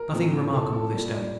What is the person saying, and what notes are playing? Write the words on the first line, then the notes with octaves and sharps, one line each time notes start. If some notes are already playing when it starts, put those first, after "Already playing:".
Nothing remarkable this day.
Already playing: A#4
A2 F3 A3 C4
A4
A4
A#2 G3 A#3
D5